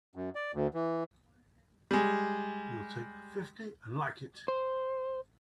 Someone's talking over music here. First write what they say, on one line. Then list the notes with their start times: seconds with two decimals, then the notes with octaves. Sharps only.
You'll take fifty and like it!
0.16 F#2
0.35 D5
0.54 D2
0.74 E3
1.91 G3 G#3
4.48 C5